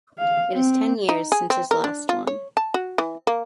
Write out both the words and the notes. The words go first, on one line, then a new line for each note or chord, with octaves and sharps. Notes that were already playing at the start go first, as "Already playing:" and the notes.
It is ten years since his last one.
F5
C4
D#4
G#4
C4
A#4
D4
F4
C#5
A5
F#4
E3
A#3